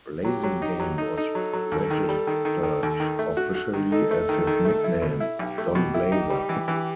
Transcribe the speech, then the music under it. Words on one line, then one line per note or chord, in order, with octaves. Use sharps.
Blasingame was registered officially as his nickname, Don Blazer.
F#3 G4
F#3
D#4
F#3
D#4 A4
D#4
F#3
F#3
D#2
D#3
G3
D#3
D#3
D#3
D#2
D#3
A3
F#4
F#4
D#3
D#4 A4
A3
D#3
D#3
A3
E4
B2
E4
B1 G4
A3
B2
E4
D#4
G3
E3
E3